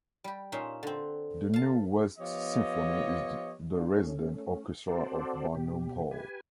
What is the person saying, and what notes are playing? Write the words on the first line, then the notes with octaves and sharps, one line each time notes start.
The New West Symphony is the resident orchestra of Barnum Hall.
G3 G4
A#2 C#4 D#4 E5 C6
D3 C4
F5 A5
F3 B3 G4 C#5 D#5
D4 F4
A3 C#4
C4 F#4 A4 C5 D5
B2 G4
G4 B4 G#5